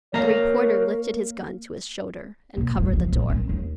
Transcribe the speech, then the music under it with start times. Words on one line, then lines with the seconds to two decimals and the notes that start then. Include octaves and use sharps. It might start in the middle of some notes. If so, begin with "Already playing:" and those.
The reporter lifted his gun to his shoulder and covered the door.
0.14 A#3 A#4 C#5 F5 A#5
2.57 B2 A#3
2.76 G#2 F#3
2.93 C#3 F3
3.12 A#1
3.29 C#4
3.49 D#2